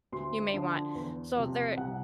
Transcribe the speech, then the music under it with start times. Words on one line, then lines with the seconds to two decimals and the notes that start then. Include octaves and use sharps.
you may want. So there
0.12 D2 C6
0.54 D3 F3
0.95 E2
1.36 C3 F3
1.77 C2 F#5